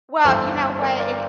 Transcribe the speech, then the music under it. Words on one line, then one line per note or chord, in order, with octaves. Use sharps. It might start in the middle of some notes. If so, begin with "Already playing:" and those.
Well, you know what, i
G1 G2 E3 A4 C5
A#4 D5
A#4 D5